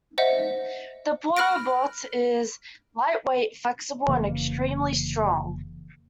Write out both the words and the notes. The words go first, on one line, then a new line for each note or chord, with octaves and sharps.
The Porta-Bote is lightweight, flexible and extremely strong.
C5 D#5 E5 F#5
B5 F6 F#6 A#6 D7
F1 C#3 E3 A#3